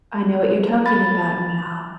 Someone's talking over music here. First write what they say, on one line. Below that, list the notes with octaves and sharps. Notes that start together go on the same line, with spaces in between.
I know what you're talking about now.
B5 A6